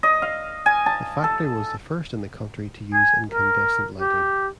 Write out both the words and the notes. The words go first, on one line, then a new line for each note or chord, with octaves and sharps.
The factory was the first in the country to use incandescent lighting.
D#5
F5
G#5
A5
A4
G#5
A#4
G4